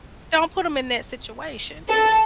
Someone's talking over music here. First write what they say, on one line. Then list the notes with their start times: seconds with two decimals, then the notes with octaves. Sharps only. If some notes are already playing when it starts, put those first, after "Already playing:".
don't put them in that situation,
1.89 A4